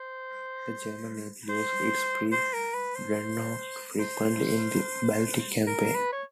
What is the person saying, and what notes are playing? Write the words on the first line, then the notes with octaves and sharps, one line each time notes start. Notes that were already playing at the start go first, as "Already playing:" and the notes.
The German navy used its pre-dreadnoughts frequently in the Baltic campaign.
Already playing: C5
C5
C5
A#4
B4
C5
C5
A#4
B4
C#5